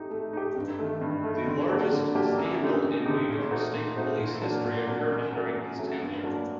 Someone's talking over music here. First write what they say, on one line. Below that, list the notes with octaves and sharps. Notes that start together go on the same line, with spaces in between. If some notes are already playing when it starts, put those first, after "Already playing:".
The largest scandal in New York State Police history occurred during his tenure.
Already playing: A3 D#4 G4
A3
D#4 G4
G2
D#3 A3
G2
D#3 A3
D3
F#3 A#3 D4 G4
D3
F#3 A#3 D4 G4
F#2
D3 A3 D#4 G4
F#2
D3 A3 D#4 G4
A#2
A3 C4 D#4 F#4
A#2
A3 C4 D#4 F#4
A#2
F#3 A#3 D4
A#2
F#3 A#3 D4
F#2
F#3 A3
F#2
F#3 A3
G2
F#3 A#3 D4